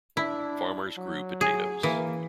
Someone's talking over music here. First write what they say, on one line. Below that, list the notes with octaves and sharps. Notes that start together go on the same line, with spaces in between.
Farmers grew potatoes.
D4 E4
F#3
G#4
E3 A#3